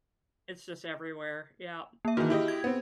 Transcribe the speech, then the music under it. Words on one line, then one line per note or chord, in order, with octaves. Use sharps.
It's just everywhere, yeah.
A#3 E5
D#3 E3 F#4 G#4
E4 G4 D#5
G#6
B3 C4